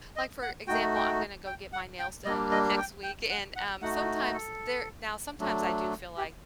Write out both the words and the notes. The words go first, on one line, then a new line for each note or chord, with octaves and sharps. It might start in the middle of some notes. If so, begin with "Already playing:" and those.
Like, for example, I'm gonna go get my nails done next week and, um, sometimes there now sometimes I do feel like,
D#5
F#5
A3 D#4 F#4 G5
G5
G5
F#5
G5
G3 A#3 D4 D#5
D#5
G5
G5
F#5
F#5
A3 D#4 F#4 F#5
A4
F#3 A3 D4
G4